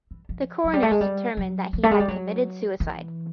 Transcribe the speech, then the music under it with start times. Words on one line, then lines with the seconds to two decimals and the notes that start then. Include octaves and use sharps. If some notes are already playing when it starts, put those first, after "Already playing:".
The coroners determined that he had committed suicide.
0.11 E3
0.29 F3
0.64 F#3
0.73 G3
0.83 A3
0.91 G#3
1.01 G3
1.37 F#3
1.73 F3
1.83 A3
1.91 G#3
2.00 G3
2.08 F#3
2.80 E3